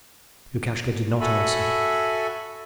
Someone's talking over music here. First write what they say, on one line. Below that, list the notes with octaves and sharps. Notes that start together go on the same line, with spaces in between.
Lukashka did not answer.
F#4 A4 E5 G#5 B5